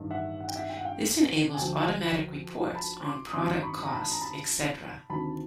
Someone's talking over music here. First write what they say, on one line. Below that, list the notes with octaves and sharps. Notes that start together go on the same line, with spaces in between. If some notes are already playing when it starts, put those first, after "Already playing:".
This enables automatic reports on product costs, etc.
Already playing: A1 G2 D#3
E5 F#5
F#5
G5
E5 F#5
G5
F#5
F5 G5
G#5
D2 D3 F3 G5 A5
A5 B5
C6 D6
D#6
G#1 F#2 D#3 C6 D6
B5 C#6
A#5
A5 B5
A#5
A5 B5
D2 C3 D#3 A5 B5